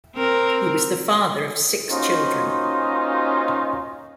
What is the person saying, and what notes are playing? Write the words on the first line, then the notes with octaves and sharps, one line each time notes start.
He was the father of six children.
C4 A#4
A#3 C#4 D#4 F4 F#4 C5